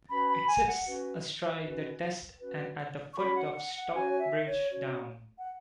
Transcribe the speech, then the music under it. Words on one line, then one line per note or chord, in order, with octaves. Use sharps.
It sits astride the Test and at the foot of Stockbridge Down.
C#4 F#4 B4 B5
B5
G#5
F#5
C#4 F#4 B4
C#4 F#4 B4
C#4 F#4 B4
C#6
C#4 F#4 C#5 B5
F#5
F#5
F#5
C#4 F#4 C#5 G#5
C#5
E5
C#5
C#4 F#4 C#5
F#5